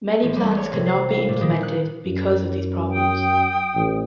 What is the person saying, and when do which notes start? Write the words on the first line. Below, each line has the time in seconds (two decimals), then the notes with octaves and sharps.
Many plans could not be implemented because of these problems.
0.23 A1
0.36 G3
0.57 C#5
0.73 C3
0.86 C7
1.10 F5
1.29 A#2
1.41 D#3
1.63 F#6
2.06 F#2
2.90 G5 D#6
3.75 A1